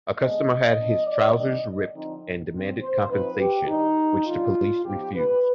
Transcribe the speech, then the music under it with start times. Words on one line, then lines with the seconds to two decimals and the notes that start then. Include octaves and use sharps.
A customer had his trousers ripped and demanded compensation, which the police refused.
0.18 D3 G#3 B3 D4 D#5
0.77 F3 B3 D4
1.06 D5
1.34 D#3 G3 D4 D#5
1.93 D3 F3 C4 D#4
2.52 D3 F3 C4
2.80 C5
3.09 F3 C4 D#4 B4
3.39 G4
3.67 D#3 G3 D4 D#4
4.26 D3 G3 D4 F4
4.84 F3 B3 D#4 G4
5.14 B4